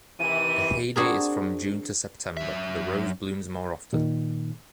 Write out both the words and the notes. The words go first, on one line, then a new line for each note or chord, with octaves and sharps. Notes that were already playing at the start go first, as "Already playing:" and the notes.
The heyday is from June to September, the rose blooms more often.
C3 D#3 E3 D#7
C4 D4 F#4 G#4 A#4
F#2 E5
A#2 D#3